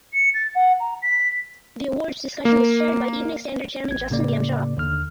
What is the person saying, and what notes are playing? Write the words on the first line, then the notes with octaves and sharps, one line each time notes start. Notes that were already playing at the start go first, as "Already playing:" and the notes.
The awards discussion was chaired by Evening Standard Chairman Justin Byam Shaw.
C#7
A6
F#5
A#5
B6
A#3
A1 G#6
A2 C#3 A#3 D5
D#2 D3 F6